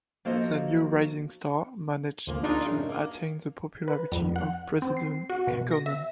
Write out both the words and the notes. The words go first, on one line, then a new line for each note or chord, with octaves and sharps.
The new rising star managed to attain the popularity of President Kekkonen.
F3 A#3 F#4 A4 C5 D#5
D2 A#2 F3 A#3
D4 D#4 F4 G#4 A#4
F#2 A2 C#3
A#3
B4
F2
F#5
C4
C7
F#4
B2
A#6
E5